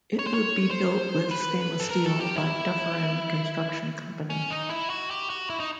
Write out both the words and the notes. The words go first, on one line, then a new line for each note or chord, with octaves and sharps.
It will be built with stainless steel by Dufferin Construction Company.
C#5
C5
C#5
C5
B4
A4
A#4
A4
G4
E4
C#4
D#4
E4
F#4
G4
F#4
E4
D#4